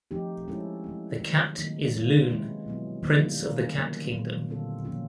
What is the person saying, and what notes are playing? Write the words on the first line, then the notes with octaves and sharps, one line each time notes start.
The cat is Lune, Prince of the Cat Kingdom.
F3 A3 C4 D#4 G4
G#3 C#4 E4 A4
E3 A3 C4
C3 D#3 F#3
D#3 F#3 A#3 D#4
G#3 C4 F4
C3 E3 G#3 C#4 E4
B2 F#3 B3
C3 D#3 G3 A#3
A3 C#4 F4 A#4
D3 F#3 A#3
A#2 F#3 B3
D3 G3 C4 F4 A4
F3 A#3 C#4 F4